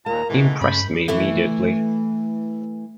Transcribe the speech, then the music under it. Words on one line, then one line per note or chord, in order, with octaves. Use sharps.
He impressed me immediately.
D#2 A#2 A#3 A#5
B2 E3 G#3 A3
G2 C#4 B5 G6
E3 A3 E4